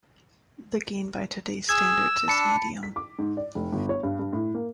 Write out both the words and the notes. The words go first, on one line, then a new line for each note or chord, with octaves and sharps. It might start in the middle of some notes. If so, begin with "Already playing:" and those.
The gain by today's standards is medium.
G#4 E6 G#6
D4 A5 B5 C#7
B6
D6
G#2
D5
F1
G1
C#5
G2
G2
A2
A#3